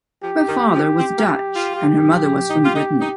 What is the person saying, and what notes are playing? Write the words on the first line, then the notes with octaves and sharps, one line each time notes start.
Her father was Dutch and her mother was from Brittany.
F3 G4
D#3
F3
C4
A#3
F4
G4
D#4
F4
D#4
D#4